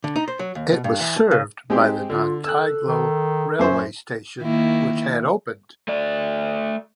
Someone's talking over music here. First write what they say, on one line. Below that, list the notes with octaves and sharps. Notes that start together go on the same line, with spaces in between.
It was served by the Nantyglo railway station which had opened.
D3
D#4
C5
F#3
D#2
B2
G2
E3
A5
C#3
G#3 C4 D#4 G4
D3 F4
A4 E6 F#6
D#3
F#2 C#4 C5 E5
D#3 A#3 E4
A3 D5